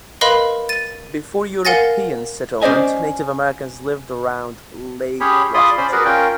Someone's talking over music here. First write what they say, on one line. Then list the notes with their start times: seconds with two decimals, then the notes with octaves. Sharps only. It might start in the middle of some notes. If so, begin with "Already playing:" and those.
Before European settlement, Native Americans lived around Lake Washington.
0.21 A#4 B4 D#5 F5 B5 C6
0.69 A6 D#7
1.65 A#4 F5 F#5 G#5 A6 A#6
2.62 C#4 C5 D5 D#5 G#5
5.20 C#4 G4 G#4 C#5 B5
5.54 F4 G#4 D5 B5 C6 D#6
5.78 C#4 C5 D5 B5
5.92 F#4 G#4 A#4 B4 D5
6.05 C#4 F4 A#4 G5